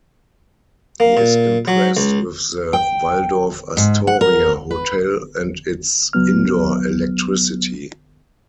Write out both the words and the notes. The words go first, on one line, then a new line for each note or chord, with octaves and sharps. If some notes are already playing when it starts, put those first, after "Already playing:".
He is impressed with the Waldorf-Astoria hotel and its indoor electricity.
A#3
A#2
F#3
C#2
G5
G#2
F#5
A#4
B4
C#2 F#3 B3 F6